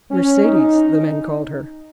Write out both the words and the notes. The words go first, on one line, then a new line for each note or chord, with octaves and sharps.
"Mercedes" the men called her.
C#4
D#4